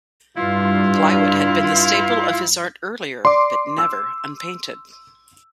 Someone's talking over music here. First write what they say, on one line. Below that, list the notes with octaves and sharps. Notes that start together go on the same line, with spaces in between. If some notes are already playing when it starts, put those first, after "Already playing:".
Plywood had been the staple of his art earlier, but never unpainted.
G2 E4 F4
D5 C6 D6
E6